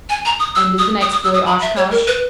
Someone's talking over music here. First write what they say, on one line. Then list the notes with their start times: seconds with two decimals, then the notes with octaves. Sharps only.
"And is the next boy Oshkosh?"
0.10 G#5
0.25 A#5
0.39 D#6
0.56 E6
0.79 D#6
1.01 D#6
1.12 D#6
1.24 E6
1.34 D#6
1.46 B5
1.62 E5
1.77 C#5
1.91 A#4
2.07 B4